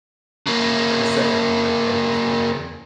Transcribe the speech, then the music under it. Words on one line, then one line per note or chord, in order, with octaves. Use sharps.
Like a second home at at this point then.
C#3 A#3